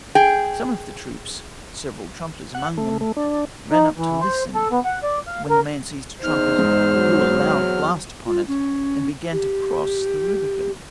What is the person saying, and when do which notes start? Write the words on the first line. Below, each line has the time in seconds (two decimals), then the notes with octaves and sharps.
Some of the troops, several trumpeters among them, ran up to listen, when the man seized a trumpet, blew a loud blast upon it, and began to cross the Rubicon.
0.15 G#4 G5
2.55 F#5
2.77 A3
3.01 A3
3.17 D4
3.71 D#4
3.97 E3
4.21 C5
4.55 A4
4.72 B3
4.85 F#5
5.03 D5
5.27 F5
5.50 A#4
6.24 E2 D#4 C5 F6
6.59 G#2
6.95 F#3
8.26 F4
8.48 C#4
9.32 G4